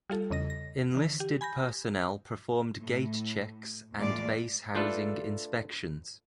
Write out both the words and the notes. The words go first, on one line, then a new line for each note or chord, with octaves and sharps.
Enlisted personnel performed gate checks and base housing inspections.
G3 F4 A4
E2 C#3 D#5 A#6
A#6
D3 E3
G4
G#5 B5 G6 A#6
A2
E2 A2 G#3 A#3 F4 D5
A3 D4 F4 A4 B4